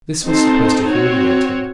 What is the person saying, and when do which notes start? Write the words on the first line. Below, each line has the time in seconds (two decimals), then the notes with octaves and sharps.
This was supposed to humiliate him.
0.25 C4 D#4 A4 C5
0.90 C4 F#4 C#5